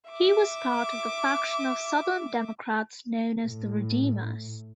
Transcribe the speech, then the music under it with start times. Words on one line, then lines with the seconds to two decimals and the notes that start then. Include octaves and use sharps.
He was part of the faction of Southern Democrats known as the Redeemers.
0.11 E5 D6
3.43 A2